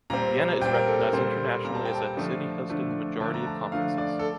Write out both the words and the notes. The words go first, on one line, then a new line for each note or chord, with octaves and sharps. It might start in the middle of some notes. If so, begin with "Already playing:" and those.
Vienna is recognized internationally as a city hosting the majority of conferences.
A#2 G3 C4 A#5
A#2 G3 C4 G5
A#4
A4
A#4
A#2 G3 C4 C5
A#2 G3 C4 A#5
A5
G5
A5
D3 F3 A3 D4
D3 F3 A3 D4
D3 F3 A3 D4 A5
A#5
A5
D3 F3 A3 D4 F5
D5
A4